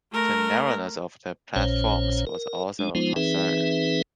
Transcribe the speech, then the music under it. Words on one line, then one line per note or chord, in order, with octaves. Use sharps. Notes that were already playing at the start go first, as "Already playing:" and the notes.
The narrowness of the platforms was also a concern.
A3 A#4
A#1 A#2 C#4 C5 C#5
A#4
G#3 D4
F3 G#3 B3 D#4 F4 C5
E3 C4 D#4 G#4 B4 E5